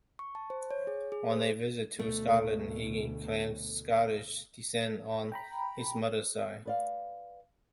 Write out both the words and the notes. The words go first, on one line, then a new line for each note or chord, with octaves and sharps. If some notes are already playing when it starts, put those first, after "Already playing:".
On a visit to Scotland, he claimed Scottish descent on his mother's side.
C#6
A5
C5
C#5
G#4
G#4
C5
D2 B2 A3
G5 A#5 B5
B4 D5 F5